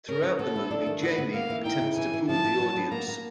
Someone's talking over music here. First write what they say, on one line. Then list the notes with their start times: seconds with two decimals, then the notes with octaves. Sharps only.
Throughout the movie, Jamie attempts to fool the audience.
0.08 C#4 A#4
0.23 C#4
0.39 B3 A4
0.56 E4
0.71 D4
0.87 D#3
1.02 B3 B4
1.18 B3
1.34 A#3 F5
1.50 E3
1.66 D#4 G5
1.81 C#3
1.97 E3 G#5
2.14 E3
2.28 F3 A5
2.44 F3
2.60 F#3
2.77 B3
2.91 A#3 A#5
3.08 A#3